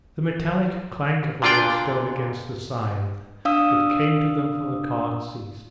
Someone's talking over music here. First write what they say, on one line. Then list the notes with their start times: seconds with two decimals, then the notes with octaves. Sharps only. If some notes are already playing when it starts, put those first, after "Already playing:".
The metallic clank of a whetstone against a scythe, that came to them from the cart, ceased.
1.42 A#2 D3 D4 F4 D5 G5
3.45 D4 F5 D#6 E6